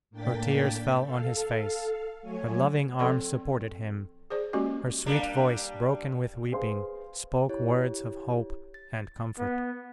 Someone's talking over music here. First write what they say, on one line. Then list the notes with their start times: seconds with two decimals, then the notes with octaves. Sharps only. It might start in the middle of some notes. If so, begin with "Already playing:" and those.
Her tears fell on his face, her loving arms supported him; her sweet voice, broken with weeping, spoke words of hope and comfort.
0.10 A2 A#3 D4 G5 A6 B6
1.02 A4 F5
2.22 F#3 A3 C#5 G#5
2.99 F3 C4 A4 D5 C6
4.30 G#4 C5 D5
4.53 G#3 A#3 C#4 F#4 G4 D5
5.06 G3 A#3 D4
6.52 G#4 B4 C5 F5 C6
7.49 E4 G4 C#5
8.74 A6
9.38 B3